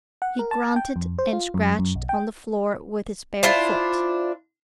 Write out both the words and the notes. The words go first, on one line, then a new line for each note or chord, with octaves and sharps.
He grunted and scratched on the floor with his bare foot.
F#5
A#4
A5
G5
F2
C5
F4
F#2
F#2
B1
G5
D4 E4 F4 C5